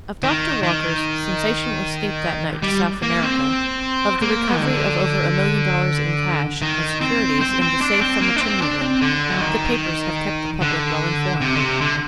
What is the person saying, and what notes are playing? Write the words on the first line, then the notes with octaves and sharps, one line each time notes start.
Of Doctor Walker's sensational escape that night to South America, of the recovery of over a million dollars in cash and securities in the safe from the chimney room--the papers have kept the public well informed.
D#3
D#3
G3
A#3
C4
A#3
D#3
D3
D#3
C4
C4
C4
D4
C4
A#3
D4
C4
D4
C4
D3
F#3
D#3
D3
C3
D3
C3
D3